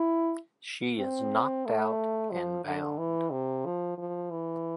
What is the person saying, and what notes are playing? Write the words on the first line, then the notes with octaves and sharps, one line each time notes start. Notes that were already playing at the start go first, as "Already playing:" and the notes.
She is knocked out and bound.
Already playing: E4
C4
A3
F3
D3
E3
C3
F3
F3
E3